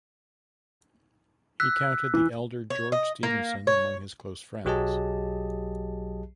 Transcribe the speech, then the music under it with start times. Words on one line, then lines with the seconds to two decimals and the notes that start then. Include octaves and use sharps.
He counted the elder George Stephenson among his close friends.
1.60 E6 F#6 B6
2.14 E3
2.70 C#5
2.92 D#5
3.23 A#3
3.67 C#5
4.65 B1 F#3 G4 G#4 D#5 A5